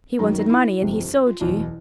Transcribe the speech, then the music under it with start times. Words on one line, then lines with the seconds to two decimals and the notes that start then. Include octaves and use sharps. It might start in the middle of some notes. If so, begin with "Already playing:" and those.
He wanted money, and he sold you.
0.19 F#2 D#3 F#3 D#4
0.39 D#4
0.50 E4
0.81 G1 F2 C3
1.27 F4
1.40 F#1 E2 B2 E4